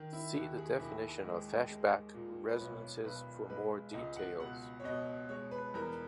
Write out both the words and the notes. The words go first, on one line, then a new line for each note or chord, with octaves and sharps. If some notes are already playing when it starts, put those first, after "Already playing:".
See the definition of Feshbach resonances for more details.
Already playing: D#3
E4
D#2 F#4
G#4
D#2 E4
G#3
G#3
A#2
B4
B1 C#5
B1 B4
G#3 B4
C#2 D#5
F#5
B2 F#5
C#5
B2 D#5
G#3 C#5
B4
E2 A#4